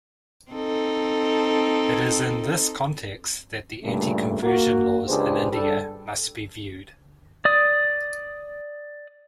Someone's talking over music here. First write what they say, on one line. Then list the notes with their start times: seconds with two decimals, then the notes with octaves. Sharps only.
It is in this context that the anti-conversion laws in India must be viewed.
0.51 C4 D#4 A4
3.84 G2 A#2 C#3 A3
4.43 A#3 F#4
5.08 C#2 D4 G4 G#4 B4 C5
5.52 G3 D4 A4
7.45 D5 D#6